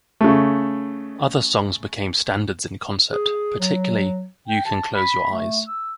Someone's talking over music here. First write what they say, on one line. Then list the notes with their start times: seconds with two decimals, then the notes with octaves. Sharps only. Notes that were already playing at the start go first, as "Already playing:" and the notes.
Other songs became standards in concert, particularly "You Can Close Your Eyes".
0.21 C#3 A3
3.12 G#4
3.60 F#3
4.48 G5
4.66 A5
4.95 B5
5.32 A3
5.67 E6